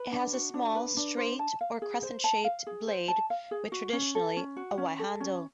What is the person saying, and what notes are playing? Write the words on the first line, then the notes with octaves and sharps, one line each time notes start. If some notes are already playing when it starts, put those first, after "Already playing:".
It has a small, straight or crescent-shaped blade with traditionally, a white handle.
Already playing: B4
D4
F#4
D4
B4
D4
C5
A5
F5
G#4
C5
A5
F5
G#4
C5
A5
F5
G#4
F#4
C#4
A4
C#4
F#4
C#4
A4
C#4